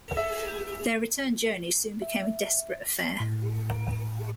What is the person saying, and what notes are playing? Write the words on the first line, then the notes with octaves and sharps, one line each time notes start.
Their return journey soon became a desperate affair.
E5
E5
A2